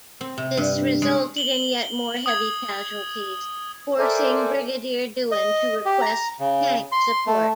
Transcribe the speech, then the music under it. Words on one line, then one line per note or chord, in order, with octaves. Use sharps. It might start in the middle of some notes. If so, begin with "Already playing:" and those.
This resulted in yet more heavy casualties, forcing Brigadier Dewan to request tank support.
C4
C3
G2
G#3
F#7 G7
D#6 G#6
A4 A#4 C5 D5 E5 G#5
D#5
G4
A#5
C#3
C6
A3